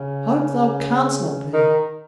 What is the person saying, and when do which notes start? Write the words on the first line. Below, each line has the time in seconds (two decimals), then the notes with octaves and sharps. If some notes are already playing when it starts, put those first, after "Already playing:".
Pope thou canst not be.
Already playing: C#3
1.54 D#3